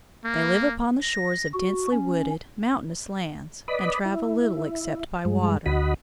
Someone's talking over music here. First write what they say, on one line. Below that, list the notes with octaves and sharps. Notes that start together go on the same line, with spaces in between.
They live upon the shores of densely wooded, mountainous lands and travel little except by water.
A#3
A#6
F#4
C#4
B4 D5 D#5 B5
E4
G2 G#3
D2 F#4 D#5 B5